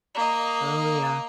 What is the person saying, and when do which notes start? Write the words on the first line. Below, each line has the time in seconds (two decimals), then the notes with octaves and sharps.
Oh, yeah.
0.15 A#3 D#5